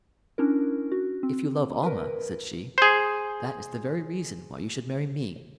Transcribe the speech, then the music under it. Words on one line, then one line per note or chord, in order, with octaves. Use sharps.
"If you love Almah," said she, "that is the very reason why you should marry me."
C#4 D4 E4 A#4
F#4
C4
A#4 B4
G#4 C5